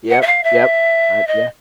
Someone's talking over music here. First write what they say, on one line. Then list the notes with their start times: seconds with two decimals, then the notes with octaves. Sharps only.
Yep, yep. I yeah.
0.10 F#5
0.22 E5
0.27 F5
0.44 E5
1.27 D#5